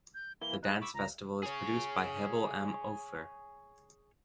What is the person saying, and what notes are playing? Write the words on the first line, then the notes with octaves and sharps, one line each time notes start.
The dance festival is produced by Hebbel am Ufer.
G6
E3 A#3 E4 G7
D#4 G#4 F#6
B5 C#6 D6 E6
C#2 A#5
G#4 C#5